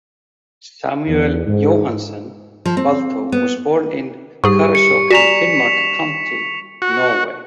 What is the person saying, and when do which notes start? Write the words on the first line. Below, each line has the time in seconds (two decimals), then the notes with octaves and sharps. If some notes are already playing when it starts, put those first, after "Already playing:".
Samuel Johannesen Balto was born in Karasjok in Finnmark county, Norway.
1.08 E2
1.47 G#2
2.65 F3
2.77 C4
3.32 B3
4.44 G#2 G3 G4 G#4 C#6
4.75 G4 C#7
5.11 F#4 D5 G#5 A#5 B6 E7 F7
6.82 F#4